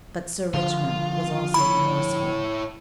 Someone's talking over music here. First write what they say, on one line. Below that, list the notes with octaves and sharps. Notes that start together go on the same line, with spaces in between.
But Sir Richmond was also remorseful.
D3 F3 F4
E4 C#5 B5